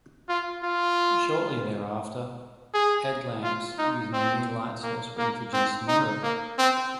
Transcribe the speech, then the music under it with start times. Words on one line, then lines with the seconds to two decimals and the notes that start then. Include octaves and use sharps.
Shortly thereafter, headlamps using the new light source were introduced in Europe.
0.29 F4
0.64 F4
2.74 G#4
3.44 F4
3.78 D#4
4.13 C4
4.83 A#3
5.18 A#3
5.53 C4
5.88 D#4
6.23 A#3
6.59 C4